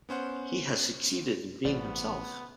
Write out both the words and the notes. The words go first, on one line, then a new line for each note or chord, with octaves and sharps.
He has succeeded in being himself.
B3 C#4 C5 F#5
A1 B3 G#4 C5 D5